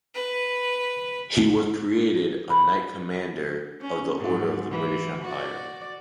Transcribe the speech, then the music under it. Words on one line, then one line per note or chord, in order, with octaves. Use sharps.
He was created a Knight Commander of the Order of the British Empire.
B4
B5
C#4
G#2 F#3
E3
F#4 D5